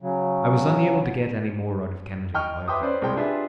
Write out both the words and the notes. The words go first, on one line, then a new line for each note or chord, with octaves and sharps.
I was unable to get any more out of Kennedy, however.
C#3 F#3
D#5 G5 C#6 F6
B4 E5 G5 C6 D6 D#6
C#4 B4 C5 D5
C2 G#3 G5 C6
D4 F4 G4 G#4 B4 E5